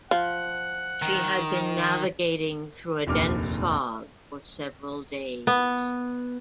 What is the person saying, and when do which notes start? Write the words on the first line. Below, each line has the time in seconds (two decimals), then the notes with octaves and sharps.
She had been navigating through a dense fog for several days.
0.11 F3 F#5
1.02 D#3
3.07 F1 A#1 D#2 D6 F6
5.47 B3